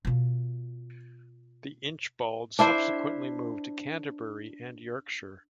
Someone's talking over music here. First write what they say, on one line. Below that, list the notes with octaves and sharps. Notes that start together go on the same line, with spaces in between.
The Inchbalds subsequently moved to Canterbury and Yorkshire.
B2 F4
D4 E4 C5